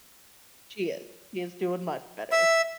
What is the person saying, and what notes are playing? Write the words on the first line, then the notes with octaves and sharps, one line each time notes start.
She is, she is doing much better.
E5